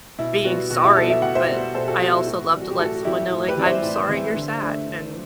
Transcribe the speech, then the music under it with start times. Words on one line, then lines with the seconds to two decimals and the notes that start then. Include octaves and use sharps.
being sorry, but I also love to let someone know, like, "I'm sorry you're sad," and
0.19 B2 E4
0.45 G3 B3 F#4
0.70 B2 F#4
0.84 E4 G4
0.97 G3 B3 F#4 A4
1.10 E5
1.22 B2 F#5
1.35 C5 E5
1.49 G3 B3
1.75 B2 A4 C5
1.88 F#4 A4
2.01 G3 B3 F#4
2.14 E4
2.27 A2 F#4
2.53 E3 G3 C4
2.61 F#4
2.70 G4
2.78 A2 F#4 A4
2.95 F#4
3.05 E3 G3 C4 E4 G4
3.32 A2
3.48 G4 B4
3.57 E3 G3 C4 D5
3.65 C5 E5
3.83 A2
4.09 E3 G3 C4
4.35 D3
4.61 A3 D4
4.87 D3